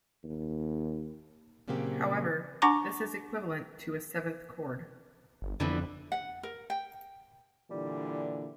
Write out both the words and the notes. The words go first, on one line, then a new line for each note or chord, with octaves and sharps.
However, this is equivalent to a seventh chord.
D#2
A#2 C#3 F#3 A#3 C4 G4
D4 F#5 A#5 C#6 D6
G1
F2 D3 E3 B3
F#5
A#4
G5
A#2 D3 E3 G3